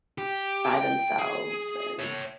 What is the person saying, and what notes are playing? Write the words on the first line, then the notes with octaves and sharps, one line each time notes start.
by themselves and,
G4
G5
G#4
C#5 E5